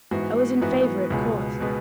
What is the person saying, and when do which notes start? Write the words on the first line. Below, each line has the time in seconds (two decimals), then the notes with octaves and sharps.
I was in favour at Court.
0.11 G#2 E3 B3 F#4
0.61 G#2 E3 B3 F#4
1.10 C#2 B2 G#3 B3
1.60 B2 G#3 B3